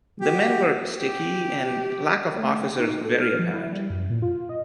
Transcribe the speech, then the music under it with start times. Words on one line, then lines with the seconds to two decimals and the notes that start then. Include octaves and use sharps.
The men were sticky and lack of officers very apparent.
0.22 F#4 G4
0.99 G4
2.37 A3
2.62 G5
2.80 D#4
3.04 A4
3.21 F6
3.39 F3
3.54 E4
3.73 G3
3.90 F#2
4.10 A#2
4.22 F4
4.49 D#5